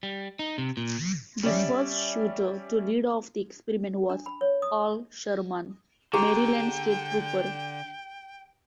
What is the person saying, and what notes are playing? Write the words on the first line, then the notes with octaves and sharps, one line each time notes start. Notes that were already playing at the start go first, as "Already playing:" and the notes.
The first shooter to lead off the experiment was Al Sherman, Maryland State Trooper.
G3
D#4
C3
A#2
G3 C#4 D5 E5
D4
B5
C#5
D#6
D3 G4 G#4 G5 A#5